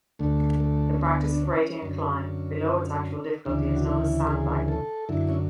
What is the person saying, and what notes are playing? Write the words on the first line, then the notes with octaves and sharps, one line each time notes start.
The practice of rating a climb below its actual difficulty is known as sandbagging.
D2 D3 A3
A3
C#4
B3
D4
C#4
F#2 D3
D2 C#3 E3 D4
F#4
E4
G#4
A4
F#2 D3 E4
C#4